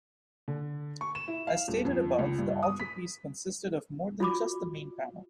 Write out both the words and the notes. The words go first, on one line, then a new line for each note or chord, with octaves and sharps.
As stated above, the altarpiece consisted of more than just the main panel.
D3
C#6
E7
E4
F5
D#1
F2
C#2
G2
D#6
B6
F4 F#4 B5 D6